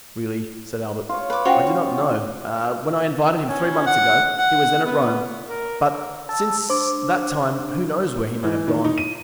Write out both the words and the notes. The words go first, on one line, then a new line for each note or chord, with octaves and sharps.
"Really," said Albert, "I do not know; when I invited him three months ago, he was then at Rome, but since that time who knows where he may have gone?"
F4 C#5
B4 D6
C#4 F4 F#4 C5 C#5 F#5 G5
C#4
F#5
F#5
B3
A#4
A5 E6
D4 C5 D6
E3
D#3
D#4
D#7